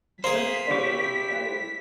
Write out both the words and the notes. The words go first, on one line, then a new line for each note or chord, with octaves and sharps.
That's fun, that's exciting,
A#3 G#4 C5 B6
E4 G4 C#6